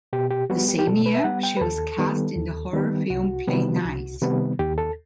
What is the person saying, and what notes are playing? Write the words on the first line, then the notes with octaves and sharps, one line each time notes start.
The same year, she was cast in the horror film "Play Nice".
B2 G4
G4
G3 B3 F#4
G4
G4
B2 A4
B4
E5
G3 B3 F#5
G5
B4
D#2 A4
D#3 G3 B3
D#2
D#3 G3 B3
C2 F#4
C3 D#3 G3 B3
C2
C3 D#3 G3 B3
D#2 G4
A4